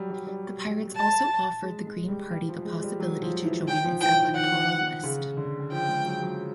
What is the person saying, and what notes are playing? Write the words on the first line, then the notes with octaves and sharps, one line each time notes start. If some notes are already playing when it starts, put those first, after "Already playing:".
The Pirates also offered the Green Party the possibility to join its electoral list.
Already playing: F#3 G3
G3
G3
A5
G#3
G#3
G3
G3
F3
G#3
G3
F#3
F3
E3
D#3 G5
F3
E3 G5
D#3
D#3 F#5
C#3
D3
F3 G5
G#3
F#3
F#3